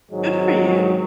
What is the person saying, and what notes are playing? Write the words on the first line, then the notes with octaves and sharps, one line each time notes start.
Good for you.
G#1 G#2 D#3 F#3 G#3